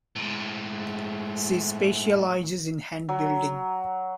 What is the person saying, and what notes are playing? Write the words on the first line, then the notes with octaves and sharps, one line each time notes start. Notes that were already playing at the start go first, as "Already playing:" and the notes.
She specializes in hand building.
A2 G#3
F#3